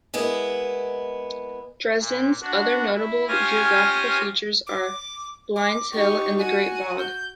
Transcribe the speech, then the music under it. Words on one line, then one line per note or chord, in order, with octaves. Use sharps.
Dresden's other notable geographical features are Blinn's Hill and The Great Bog.
G#3 A#3 B3 E4
A#2
D4 F#4
E4
C#4 F4 G4 F5 G#5 A#6
D6
D6
D#4 G4 C#6
F#4 G#5
G6